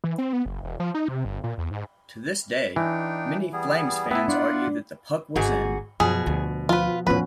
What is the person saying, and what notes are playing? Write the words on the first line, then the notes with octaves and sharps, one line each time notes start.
To this day, many Flames fans argue that the puck was in.
E3
C4
B3
F#1
E1
F3
D#4
C3
G1
A#2
E2
G#2
E3 D4 D#4 G5
G3 B3 G#4
B3 E4 A4 G5 G#5
D4 F4 D5 F#5
G1 G#2 G#3 F#4 G#4
F#2 B2 F3 G#4
D2
F3 F4 B4
D#2 A2 F3 B3 C#4 B4